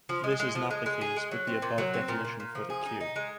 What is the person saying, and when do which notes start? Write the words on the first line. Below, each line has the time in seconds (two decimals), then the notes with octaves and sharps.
This is not the case with the above definition for the cube.
0.09 F3
0.24 G#3
0.40 G#3
0.55 F3
0.70 G#3
0.86 G#3
1.01 G#4
1.16 G#3
1.31 F#3
1.47 C4
1.62 A#2
1.78 F#3
1.94 C4
2.08 A#2
2.25 A#2
2.40 A#2
2.55 F3
2.70 G#4
2.86 D#4
3.00 D#4
3.16 G#3